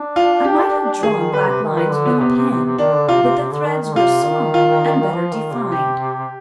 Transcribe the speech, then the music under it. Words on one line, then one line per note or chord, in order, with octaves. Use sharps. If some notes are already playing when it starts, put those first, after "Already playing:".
I might have drawn black Lines with a Pen, but the Threds were smaller and better defined.
Already playing: D4
F4
G4
D#3 G#4
D#3
D3 B4
C3
D#3
B4
D3
B3
C3 B3
C3
C3
C3
D#3 D4
D3
C3 F4
C3
C3
D3
D#3
D#3
C3 F4
D#3
F4
F3
D#3
C3
G4